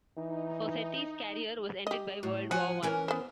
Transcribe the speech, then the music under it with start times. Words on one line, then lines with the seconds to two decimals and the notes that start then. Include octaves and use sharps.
Fossati's career was ended by World War One.
0.17 E3 D#4
1.87 G4 D#5
2.23 A2
2.51 F3 F#4 F#5 G#5
2.83 E3 C#4 A#4
3.08 B3 C5